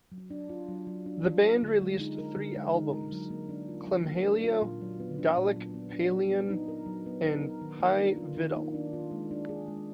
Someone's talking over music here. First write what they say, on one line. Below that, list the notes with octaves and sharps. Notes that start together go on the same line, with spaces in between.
The band released three albums, "Clymhalio", "Dalec Peilon" and "Hei Vidal!".
F#3
D4
F4
F#3
F#3
D4
F4
F#3
D3
G#3
D#4
A#4
D3
G#3
D#4
A#4
F#3
A#3
D4
F4
F#3
A#3
D4
F4
A#2
F#3
B3
D4
A#2
F#3
B3
D4
F#3
B3
D#4
A#4
F#3
B3
D#4
A#4
D#3
A#3
D4
F4
D#3
A#3
D4
F4
G#3
D4
G#4
G#3